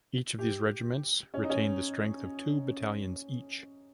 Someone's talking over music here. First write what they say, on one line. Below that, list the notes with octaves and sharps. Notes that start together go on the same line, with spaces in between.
Each of these regiments retained the strength of two battalions each.
G4
C#4
D#4
C#4